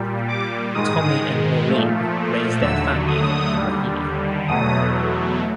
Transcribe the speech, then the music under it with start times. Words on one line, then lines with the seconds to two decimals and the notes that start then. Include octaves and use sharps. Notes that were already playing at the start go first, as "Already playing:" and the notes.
Tommy and Maureen raised their family in Raheny.
Already playing: A#2 G3
0.28 D6
0.74 G#2 D#3 G#3 D#6
1.68 A#2 F3 A3
2.61 D#2 D3 F#3 A3 E6
3.08 D#6
3.54 D#2 D3 G3
4.47 E2 B2 F#3 A3 D#6